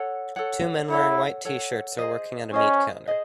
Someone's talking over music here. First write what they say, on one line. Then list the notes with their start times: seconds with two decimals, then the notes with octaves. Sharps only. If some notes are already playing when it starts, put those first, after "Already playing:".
Two men wearing white tshirts are working at a meat counter.
Already playing: A4 C#5 F#5
0.36 A4 C#5 F#5
0.90 E4 A4 C#5 F#5
1.45 A4 C#5 F#5
1.98 G#4 C5 D#5
2.53 C#4 G#4 C5 D#5
3.07 G#4 C5 D#5